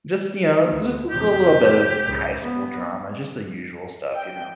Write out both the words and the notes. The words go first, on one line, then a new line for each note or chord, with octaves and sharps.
just, you know, just a little bit of high school drama, just the usual stuff, you know.
D2
F2 C3 G4
C#2 A#2
B3
G5